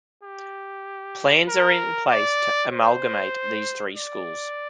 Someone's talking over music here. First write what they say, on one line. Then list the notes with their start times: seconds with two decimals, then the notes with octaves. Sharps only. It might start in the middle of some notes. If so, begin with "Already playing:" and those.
Plans are in place to amalgamate these three schools.
0.23 G4
1.48 A#4
2.10 D5
2.73 C5
3.97 D5